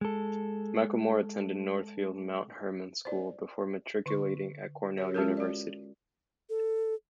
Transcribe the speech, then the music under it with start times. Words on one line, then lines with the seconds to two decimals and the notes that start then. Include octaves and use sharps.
McLamore attended Northfield Mount Hermon School before matriculating at Cornell University.
0.01 G#3 A4
3.05 C5 D5
4.06 D3 C#6
4.98 G4 C#5
5.14 G#3 C#4 F4 G4 A4 A#4
5.37 F#4 D5
6.50 A4